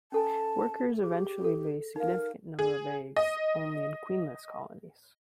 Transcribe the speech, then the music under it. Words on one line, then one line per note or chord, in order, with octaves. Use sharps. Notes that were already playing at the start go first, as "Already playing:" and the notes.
Workers eventually lay significant numbers of eggs only in queenless colonies.
C#4 A4 G#5 A5
G4 G#4
A4
D#4 A#4 F5
G#4
D#5